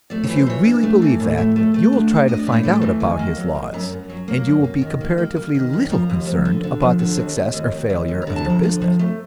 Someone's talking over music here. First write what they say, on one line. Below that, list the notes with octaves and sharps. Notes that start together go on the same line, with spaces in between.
If you really believe that, you will try to find out about his laws, and you will be comparatively little concerned about the success or failure of your business.
A3 D5
E3 C#5
C5
E3 C#5
D4
A3 D5
E3
A2
A3
A3
A3
D4
D4
D4 D#5
D5
A2
C#5
A3 D5
E3
D#3 G#5
A#3
F#3
D#3
F#2 A#5
F#2
F#3
A#3
F#2
A#3
D#3
A#3
A#3
A#3
D#3
F#2
F3 A#5
D#2
F3
D3
D3
F3
D3
D#2
D#2
D#2
D#2
D#2
D#2
A#5
D3
A5
F3
A#5
D3
F3
A3